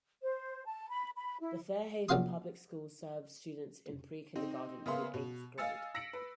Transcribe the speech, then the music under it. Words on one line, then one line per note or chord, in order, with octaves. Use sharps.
The Fair Haven Public Schools serves students in pre-kindergarten through eighth grade.
C5
A5
B5
B5
E4
A#1 C#4 F#4 F5 C6 D#6
C4 D#4
C#3 A#3 B3 E5 F5 C6
B2
D#5 F5 G#5 E6 A6 C#7
E6 A#6 B6 C#7 D7 F#7
B4